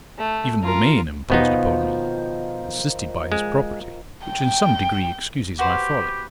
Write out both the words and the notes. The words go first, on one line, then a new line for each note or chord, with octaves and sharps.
Even Romayne imposed upon me--assisted by his property, which in some degree excuses my folly.
A3
F4 A#4
B2 D#3 F3 B3 D#4 C5
G#3
G5
F#4 G4 B4 C5